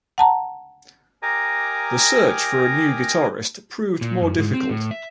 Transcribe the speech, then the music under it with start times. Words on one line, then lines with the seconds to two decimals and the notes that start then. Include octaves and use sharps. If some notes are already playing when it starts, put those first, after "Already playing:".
The search for a new guitarist proved more difficult.
0.18 F#5 A5 A#5
1.22 G4 A#4 D#5 G#5 A#5 D6
4.01 A#2
4.21 F#2
4.38 G#2
4.53 C4
4.69 A2
4.91 E5